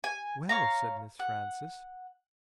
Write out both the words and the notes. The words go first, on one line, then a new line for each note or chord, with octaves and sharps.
"Well!" said Miss Frances.
G#5
C#5 F5 A#5
F#5